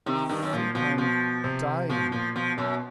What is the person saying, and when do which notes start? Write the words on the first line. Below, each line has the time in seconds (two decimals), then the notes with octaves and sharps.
"I think I'm dying."
0.06 C3 D#3
0.29 G2 D#3
0.43 F#2
0.53 A#2 F3
0.75 B2 F3
0.98 B2 F3
1.44 C3
1.89 B2 F3
2.12 A#2 F3
2.36 B2 F3
2.58 F#2 B2